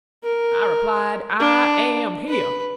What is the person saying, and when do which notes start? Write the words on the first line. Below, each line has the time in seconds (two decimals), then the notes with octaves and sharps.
I replied, "I am here."
0.23 A#4
1.39 D4
2.28 B4